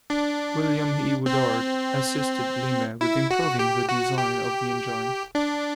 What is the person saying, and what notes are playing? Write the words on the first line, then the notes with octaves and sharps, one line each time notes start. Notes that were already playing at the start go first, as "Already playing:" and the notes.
William E. Woodard assisted Lima with improving the design of the engine.
D4
C4
E4
F#4
G4
F#4
G4
D4